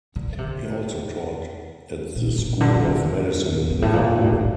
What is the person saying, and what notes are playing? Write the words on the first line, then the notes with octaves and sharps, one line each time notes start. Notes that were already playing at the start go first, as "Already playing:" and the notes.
He also taught at the School of Medicine in Liverpool.
D3
C3
A#2
A#2
D3
D3
C3
F2
G2
A2
A#2
A2
G2
A2